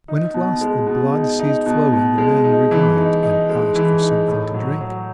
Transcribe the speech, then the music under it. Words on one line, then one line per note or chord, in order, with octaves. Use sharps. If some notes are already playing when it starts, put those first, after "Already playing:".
When at last the blood ceased flowing, the man revived and asked for something to drink.
D#4
B2
G#3
B2
D#4
D#4
B2
B2
G#3
D#4
E3
D#4
D#4
G#3
E3
D#4
A2
F#3
F#3